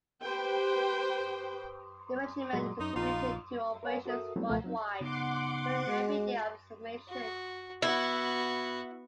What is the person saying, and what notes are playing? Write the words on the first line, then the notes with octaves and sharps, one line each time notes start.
The regiment contributed to operations world-wide during every year of its formation.
G4 B4 C5 G5
A#2 F#3 G#3
F#2 D#4
A#1 D#4 F4
A#4 B4 C#5 F5 G#5
F#4 A4 A#4 E5 D#6
F#3 G3 A3 B3 C4 E4
C#2 B2 F3 A3
F#3 C4 D#4
C#3 B3 D#4 F#5 C6 D6
G#3 F#4
F#4
B3 E4 F#4